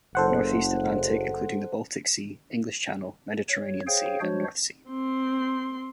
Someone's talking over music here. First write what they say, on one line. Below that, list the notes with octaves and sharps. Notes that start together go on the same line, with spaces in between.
Northeast Atlantic including the Baltic Sea, English Channel, Mediterranean Sea and North Sea.
F#1 A4 C5 F#5
C#5
G#4 C5 C#5 F5 G5
F3 G#3 D4 F#4 C5 C#5
C4 C6